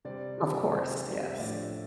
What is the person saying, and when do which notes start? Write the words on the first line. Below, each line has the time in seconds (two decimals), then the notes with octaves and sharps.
Of course, yes.
0.05 C3 G3 C4 D5
0.38 C3 G3 C4
0.71 C3 G3 C4 C5
1.04 C3 G3 C4
1.28 E5
1.38 A2 F3 A3 D4 D5